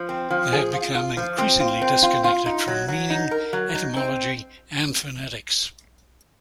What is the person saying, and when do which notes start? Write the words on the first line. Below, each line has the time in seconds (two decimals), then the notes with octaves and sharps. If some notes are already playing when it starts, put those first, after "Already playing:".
They have become increasingly disconnected from meaning, etymology and phonetics.
Already playing: F3
0.09 C4
0.31 F3
0.53 G#4
0.74 F4
0.95 F4
1.17 F3
1.38 C4
1.60 F4
1.82 C4
2.03 F4
2.24 F4
2.46 D#4
2.68 F#3
2.88 F#3
3.10 D#4
3.31 A#4
3.53 F#3
3.75 D#4
3.97 C4